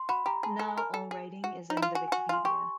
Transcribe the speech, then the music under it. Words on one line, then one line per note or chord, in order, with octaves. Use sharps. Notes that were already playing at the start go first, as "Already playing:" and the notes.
Now, all writing is in the Wikipedia.
Already playing: C6
F#4 B5
G4 A#5
G#4 A5
A4
G#5
A#4
A4
G#4
F#4
D#4
E4
F4
F#4 G#5
G#5
F#4
G#5
F4 C6
G4 C#6